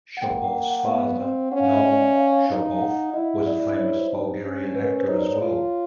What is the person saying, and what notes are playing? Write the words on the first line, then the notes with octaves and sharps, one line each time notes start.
Shopov's father, Naum Shopov, was a famous Bulgarian actor as well.
F#5
A#3 G5
F#5
G5
F#5
F#5
B3 F5
C4
C#4 F#5
F5
E5
D#5
D5
D#5
F5
F5
D#4
F5
F#5
E4 D#5
D5
C#5
C#5
C5
D#4
C#4
B4
A#4
B4
C5
D#4 C#5
D5
C#5
F4